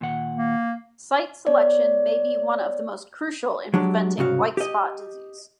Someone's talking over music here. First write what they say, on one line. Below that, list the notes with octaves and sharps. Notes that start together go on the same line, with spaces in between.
Site selection may be one of the most crucial in preventing White Spot Disease.
A#2 D#3 F#5
A#3
B3 C#5 D5
F#3 G#3 D4 G4
C2 G#2 C#3 F#4 F5
G4 D#5